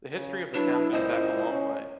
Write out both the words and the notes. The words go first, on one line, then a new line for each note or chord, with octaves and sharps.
The history of the town goes back a long way.
C#3
F#3 D4 E4 B4 C#5 E7
C#2 A#2 C5 D#5
C#4